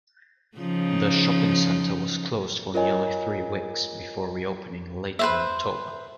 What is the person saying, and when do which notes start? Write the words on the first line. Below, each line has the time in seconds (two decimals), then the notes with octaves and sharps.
The shopping center was closed for nearly three weeks before re-opening later in October.
0.58 C#3 F3 D#4
2.74 F4 A#4 C#5 D#5 G#5
5.19 B4 C5 E5